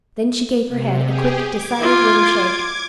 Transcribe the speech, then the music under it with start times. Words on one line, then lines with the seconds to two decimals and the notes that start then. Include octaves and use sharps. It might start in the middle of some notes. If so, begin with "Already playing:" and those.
Then she gave her head a quick decided little shake.
0.68 C3
1.02 G4 G#4
1.48 D6 G#6
1.80 F4